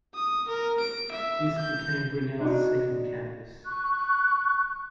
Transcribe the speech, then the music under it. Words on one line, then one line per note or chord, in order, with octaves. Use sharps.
This became Brunel's second campus.
D#6
A#4
D7
E5
G6
D4 D#4 F#4
C#6 F#6